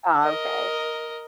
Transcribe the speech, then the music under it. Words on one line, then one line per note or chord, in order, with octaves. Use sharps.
Oh, 'kay.
A#4 D#5